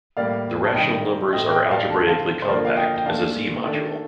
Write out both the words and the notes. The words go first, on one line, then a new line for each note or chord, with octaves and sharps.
The rational numbers are algebraically compact as a Z-module.
A2 G3 A#3 D5 F5
A5
C3 D#3 G3 D4 D#5 G5
A2 A3 C4 D#5 G5
D#5 G5
D5 F5
D3 A3 C4 A5
F5 A5
C5
D3 F3 A#3 A#4 D5
F5
D#5 G5
G5
A#2 A3 D4 F5 A5
D#3 A3 D4